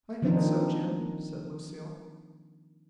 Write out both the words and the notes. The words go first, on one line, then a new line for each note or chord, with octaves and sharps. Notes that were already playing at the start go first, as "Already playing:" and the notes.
"I think so, Jim," said Lucille.
D#3 F3 A#3 C4 D4 D#4